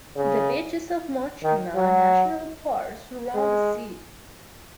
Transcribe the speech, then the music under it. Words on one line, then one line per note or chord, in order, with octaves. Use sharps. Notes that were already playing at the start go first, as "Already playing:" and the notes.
The beaches of Mochima National Park surround the city.
C#3
D#3
F#3
G#3